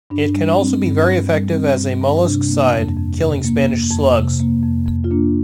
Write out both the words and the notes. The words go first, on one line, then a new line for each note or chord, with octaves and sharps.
It can also be very effective as a molluscicide, killing spanish slugs.
G2 D4
G3
C4
G2
G2
G3
C4
G2
G2
C3 D4
A#3
F2
F2
C3
A#3
F2
F2
C3
A#3
F2
F2
F4
A#3 D4